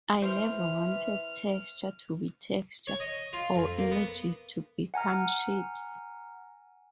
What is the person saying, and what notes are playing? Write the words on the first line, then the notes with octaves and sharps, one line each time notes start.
I never wanted texture to be texture, or images to become shapes.
E3 C5 F6
C#5
D#5
F4
F2
A#3
B3
F#5 G#5 A#5 F6